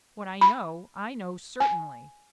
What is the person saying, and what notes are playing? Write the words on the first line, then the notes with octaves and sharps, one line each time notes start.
What I know, I know certainly.
B5
G#5